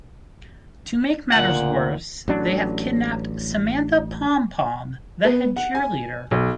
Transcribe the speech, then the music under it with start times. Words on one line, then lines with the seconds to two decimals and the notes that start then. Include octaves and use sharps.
To make matters worse, they have kidnapped Samantha Pompom, the head cheerleader.
1.32 D2 A#2 F#5
2.28 A1 F#3 D4
5.25 B3
5.56 F#5
5.75 G#5
6.31 B1